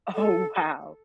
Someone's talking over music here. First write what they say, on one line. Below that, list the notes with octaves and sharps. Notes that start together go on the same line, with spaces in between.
Oh, wow.
A4